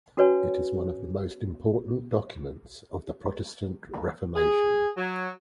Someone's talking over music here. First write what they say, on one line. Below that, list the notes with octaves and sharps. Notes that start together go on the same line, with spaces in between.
It is one of the most important documents of the Protestant Reformation.
C#4 F#4 B4 C#5 G#5
G#4
F#3